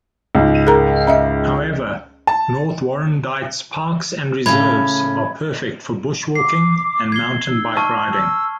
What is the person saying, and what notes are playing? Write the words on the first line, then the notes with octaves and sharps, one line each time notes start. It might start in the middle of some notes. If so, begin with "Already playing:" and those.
However, North Warrandyte's parks and reserves are perfect for bushwalking and mountain bike riding.
C#2 G#2
G#4 A#4 A#5
C#4 D#5 E5
A5
A2 C#3 B5 G#6
D6 C7
G#6 C7 G7
D#4 E6
A5 C#6 F6
E6